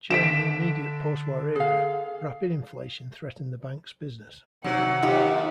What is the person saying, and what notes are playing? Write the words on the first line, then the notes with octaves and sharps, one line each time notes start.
During the immediate postwar era, rapid inflation threatened the bank's business.
D3 B6 D7 E7
G#4 F5
C3 D#3 F#3 F#5
D#2 D#4 F4 G4